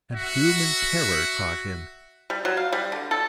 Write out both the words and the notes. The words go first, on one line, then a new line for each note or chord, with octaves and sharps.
And human terror caught him.
F#4 E5 F#5
G3
F#3
F5
G3
D3
A4